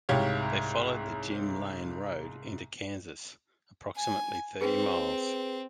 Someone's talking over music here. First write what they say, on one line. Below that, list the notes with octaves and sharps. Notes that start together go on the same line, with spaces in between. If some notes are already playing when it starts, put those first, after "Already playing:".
They followed the "Jim Lane Road" into Kansas approximately thirty miles.
C2 G#2 G4 C#5 F5
G#5
C4 G#4 B4